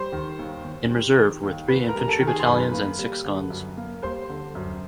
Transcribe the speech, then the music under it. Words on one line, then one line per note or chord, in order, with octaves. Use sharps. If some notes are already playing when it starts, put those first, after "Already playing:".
In reserve were three infantry battalions and six guns.
Already playing: G3 C5 C6
D#3
D#2
D#2
G3
D#3
D#2
D#2 B4 B5
A#4 A#5
G3
A#5
A4 A5
D#3
G#4 G#5
C6
F#2 B4 B5
A#3
G3
D3
F#2
A#3
G3 C5 C6
D3
F#2